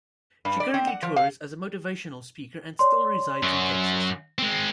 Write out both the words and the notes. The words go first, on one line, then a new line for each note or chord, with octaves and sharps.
She currently tours as a motivational speaker and still resides in Texas.
G2
D5
C4
F#5
F3
F5
C#5 D5 C6
F#2 F#3
G#3 C4